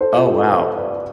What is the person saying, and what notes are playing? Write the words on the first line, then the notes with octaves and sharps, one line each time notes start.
Oh, wow.
A4 C5
F4
G4
A4
B4
A4 C5
B4 D5
D5